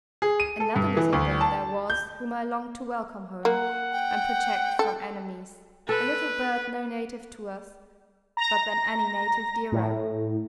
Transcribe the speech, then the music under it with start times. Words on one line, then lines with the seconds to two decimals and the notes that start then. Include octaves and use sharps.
Another little bird there was, whom I longed to welcome home, and protect from enemies, a little bird no native to us, but than any native dearer.
0.22 G#4
0.40 D#7
0.60 A4
0.76 G2
0.97 E3
1.13 D2
1.41 A5
1.90 G6
3.45 A#3 F#5
3.93 G5
4.79 A4
5.89 A4 B4
8.37 A#5 A#6
9.72 A2